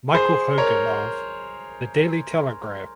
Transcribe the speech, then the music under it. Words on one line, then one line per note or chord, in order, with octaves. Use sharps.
Michael Hogan of "The Daily Telegraph".
G#4 C5
A#4 C#5